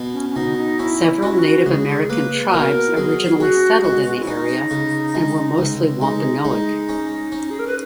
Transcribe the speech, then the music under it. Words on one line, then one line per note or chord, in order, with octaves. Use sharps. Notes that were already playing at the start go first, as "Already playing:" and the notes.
Several Native American tribes originally settled in the area and were mostly Wampanoag.
Already playing: B2
C#4
C#4
B2 D#4
D#4
C#4 E4
C#4 F#4
E4
F#4
C#2 G#4
A#3 B4
B4
B2 A#4
F#3 G#4
C#4 F#4
G#4
G#3 F#4
E4
C#4 D#4
C#3
G#3
C#2
G#3 D#4
G#3
C#4
C#4
G#4
A#4
B4